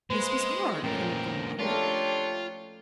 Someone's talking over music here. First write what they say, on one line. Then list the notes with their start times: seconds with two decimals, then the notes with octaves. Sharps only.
This was hard, coming from Margaret.
0.10 G#3 A#3 B4 C5
0.83 A#2 F3 G#3 A3 C#4 A#4 G5
1.59 A3 D4 F4 G4 A4 A#4 C#5